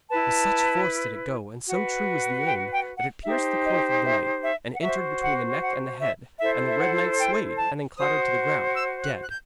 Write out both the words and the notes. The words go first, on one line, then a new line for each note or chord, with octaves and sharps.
With such force did it go, and so true was the aim, that it pierced the coif of the knight, and entered between the neck and the head, and the red knight swayed and then clattered to the ground, dead.
E4 B4 A5
F#4
B4
G5
G5
F#5
D#4 G4 C5 E5
D#5
E5
E5
F#5
F#4 C5 E5
F#5
F#5
E5
E4 A4 C5 E5
E5
F#5
G5
A5
F#4 C5 D#6
E6
F#6
F#6
G6